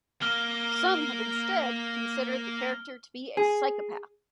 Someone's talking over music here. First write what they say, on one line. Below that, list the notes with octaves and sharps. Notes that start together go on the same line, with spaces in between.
Some have instead considered the character to be a psychopath.
A#3 F6 G7
G#4